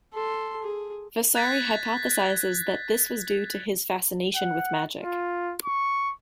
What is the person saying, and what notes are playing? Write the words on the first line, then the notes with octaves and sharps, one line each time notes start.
Vasari hypothesizes that this was due to his fascination with magic.
A4 C6
G#4
F#6 G#6 A6 B6
F#5
F4
C#6